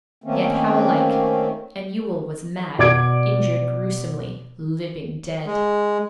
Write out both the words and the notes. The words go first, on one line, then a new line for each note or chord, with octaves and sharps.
Yet how alike-- And Ewell was mad, injured gruesomely, living dead.
D#3 A3 A#3 C4 C#4
B2 D5 D6 G#6 D7
G#3